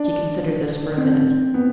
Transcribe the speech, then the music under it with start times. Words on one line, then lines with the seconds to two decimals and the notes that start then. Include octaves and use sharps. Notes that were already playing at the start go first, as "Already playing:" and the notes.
She considered this for a minute.
Already playing: D4
0.97 C4
1.54 B3